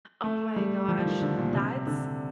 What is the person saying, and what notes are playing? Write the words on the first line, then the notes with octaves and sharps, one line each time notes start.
Oh my gosh, that's
A3
G3
F3
F3
D#3
D3
A#2
C3
D3